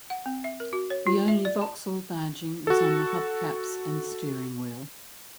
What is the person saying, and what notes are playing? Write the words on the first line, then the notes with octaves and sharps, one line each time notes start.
The only Vauxhall badging was on the hub caps and steering wheel.
F#5
C4
E5
A#4
F#4
C#5
F4
E5
D5
A5
F#4 A4